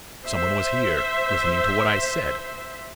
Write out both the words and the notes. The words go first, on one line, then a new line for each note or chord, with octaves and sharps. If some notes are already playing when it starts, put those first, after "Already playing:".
Some one was here--listening to what I said!
C5 E5